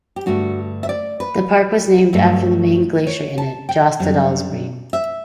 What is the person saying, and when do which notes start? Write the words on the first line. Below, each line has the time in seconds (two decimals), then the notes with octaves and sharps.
The park was named after the main glacier in it, Jostedalsbreen.
0.16 G4
0.26 G2 D3 A3 F#4
0.83 E5
0.89 D5
1.20 B4
2.13 G2 F#3 A3
3.07 C#5
3.38 A5
3.69 G5
3.99 F#2 D3 G3
4.93 E5